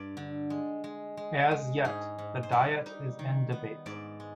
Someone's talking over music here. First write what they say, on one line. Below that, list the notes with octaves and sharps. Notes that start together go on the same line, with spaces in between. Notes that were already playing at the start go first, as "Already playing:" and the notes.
As yet, the diet is in debate.
Already playing: G2 D5
D3
G#3
G#3
G#3
G#3
G#2 G#4
G#2
C5
G3 B4
D#4
D#3
B3
G#2 D5
G#3